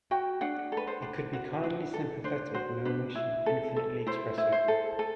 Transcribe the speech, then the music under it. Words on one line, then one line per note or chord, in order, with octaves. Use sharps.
It could be kindly, sympathetic, gnomish and infinitely expressive.
F#4 G5
D4 F#5
A4
B4
C5
D4
F#4
D4
A4
D4 C5
F#4 C5
D4 B4
E4
A4
A4
E4 C5
E4
C5
A4
A4